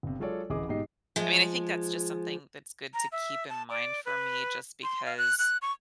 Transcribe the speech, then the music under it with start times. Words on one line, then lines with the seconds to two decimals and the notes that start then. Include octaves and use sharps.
I mean, I think that's just something that's good to keep in mind for me just because
0.03 G1 C3
0.19 F#3 G#3 F4 A4 C#5 D5
0.50 D1 A1 E3 G#4 D#5 D6
0.69 G#2 B2 D#4 G4 D#5 C7
1.16 F3 G#3
2.94 A#5
3.12 E5
3.49 A5
3.70 D5
4.05 B4
4.83 C6
5.06 F5
5.18 F#6
5.39 F#6
5.62 C#6